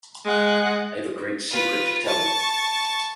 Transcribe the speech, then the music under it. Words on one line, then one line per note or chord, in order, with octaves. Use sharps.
I have a great secret to tell you!
G#3 F#5
F4 B4
A5 C#6